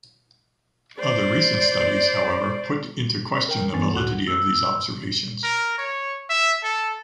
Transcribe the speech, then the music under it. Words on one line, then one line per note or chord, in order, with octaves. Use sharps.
Other recent studies, however, put into question the validity of these observations.
C5 D5
A#4 G5
G2 E3 B3 C#4 G#5 A6
D2 A2 F#4 F#5 F#6
E6
A#4
C#5
E5
A4